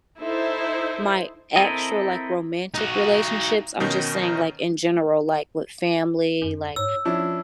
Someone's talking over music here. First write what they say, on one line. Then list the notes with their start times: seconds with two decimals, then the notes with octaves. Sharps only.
my actual, like, romantic relationships, I'm just saying, like, in general, like, with family, like
0.18 D#4 E4 A4 C5
1.56 C4 E4 A4 A#4 D#5
2.74 D#4 F#4
3.80 B2 D#3 C#4 D#4
6.42 F#2
6.76 G#2 C#5 E6
7.05 F3 C#4 D4 E4 F4